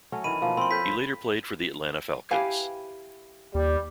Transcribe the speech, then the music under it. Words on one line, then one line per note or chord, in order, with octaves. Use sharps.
He later played for the Atlanta Falcons.
F#3 A3 C#4
D#3 E3 B5 D#7
B2 F3 A#3
C4 F4 B5 C6
F4 A4 C#5 G6 B6
E4 G4 B4 F5 G#5
D#2 G3